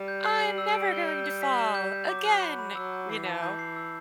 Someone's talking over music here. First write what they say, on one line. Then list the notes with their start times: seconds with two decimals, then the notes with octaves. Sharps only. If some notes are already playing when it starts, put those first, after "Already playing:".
"I'm never going to fall again." You know?
Already playing: G3
0.08 G6
0.24 C7
0.42 F#7
0.58 E6
0.75 D7
0.92 G7
1.09 G6
1.24 G6
1.42 B6
1.59 E7
1.75 G6
1.92 G6
2.08 F#3 D6
2.25 F#6
2.42 B5
2.59 B5
2.75 F#3 E6
2.92 G6
3.09 E3 C7
3.26 A5
3.42 E3 G6
3.59 C7
3.76 E6